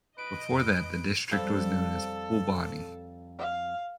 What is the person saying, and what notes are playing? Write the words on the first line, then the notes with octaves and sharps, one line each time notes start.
Before that the district was known as Phulbani.
B4 D#5 D7
F2 B4
F2 G3 C4 A4
F5